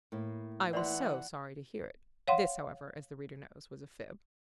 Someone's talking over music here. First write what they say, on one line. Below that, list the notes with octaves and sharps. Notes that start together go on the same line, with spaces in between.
"I was so sorry to hear it." This, however, as the reader knows, was a fib.
A2 A#3 E4
E3 D5 F#5 C6
C#5 F5 F#5 C6